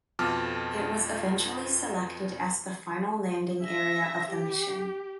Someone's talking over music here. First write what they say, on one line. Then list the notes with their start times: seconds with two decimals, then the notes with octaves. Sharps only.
It was eventually selected as the final landing area of the mission.
0.19 F2 B2 F3 A5 D6 F6
3.64 E5 A#6
4.28 G4